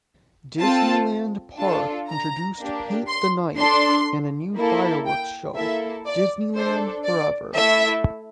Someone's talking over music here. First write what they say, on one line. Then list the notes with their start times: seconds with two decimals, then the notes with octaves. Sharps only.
Disneyland Park introduced Paint The Night and a new fireworks show, "Disneyland Forever".
0.60 C4 F4 A4 A5
1.58 D4 F4 A4 A5
2.08 A#5
2.58 A#3 D4 G4
3.08 C6
3.58 D4 A4 C6
4.57 A#3 E4 A4
5.07 G5
5.55 A#3 E4 A4 E5
6.06 D5
6.56 D4 A4 C5
7.05 D5
7.55 A3 E4 A4 E5